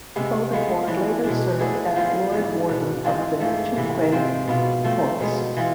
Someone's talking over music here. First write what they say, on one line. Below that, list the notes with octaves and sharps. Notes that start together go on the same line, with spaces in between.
De Guldeford later served as Lord Warden of the Cinque Ports.
C3 G#3 B3
F3 G#3 B3
E3 B3 D4
B2 G#3 D4
D3 A3 E4 G#4
F3 B3 F4 G#4
G#2 E3 B3
B2 B3 D4
E3 G#3 C4 F4
G#2 F3 A3
C3 E3 B3
C3 F3 G#3 C4
B2 B3 F4
F3 A3 C4
B2 G#3 B3
E3 B3 F4